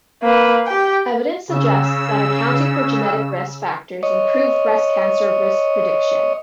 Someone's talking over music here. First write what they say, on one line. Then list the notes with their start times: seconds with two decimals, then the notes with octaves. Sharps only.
Evidence suggests that accounting for genetic risk factors improve breast cancer risk prediction.
0.22 A#3 B4
0.67 G4 G5
1.48 C#3 E6
4.03 C#5 D#5